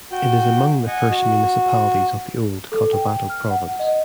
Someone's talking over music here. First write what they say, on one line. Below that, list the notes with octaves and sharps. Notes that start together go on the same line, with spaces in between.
It is among the first municipalities of the old Cotabato province.
F#4 G5
D#5 F#5 G#5
F#4
A4
G5
F6
F#5
D#5